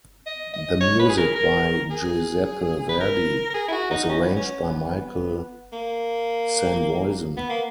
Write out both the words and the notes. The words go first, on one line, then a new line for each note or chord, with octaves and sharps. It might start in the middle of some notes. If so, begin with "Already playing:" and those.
The music, by Giuseppe Verdi, was arranged by Michael Sanvoisin.
D#5
D#5
C#5
B4
G#4
A#4
A#4
G#4
B4
A#4
A#4
G#4
E4
F#4
D#4
C#4
B3
C#4
B3
A#3
B3
A#3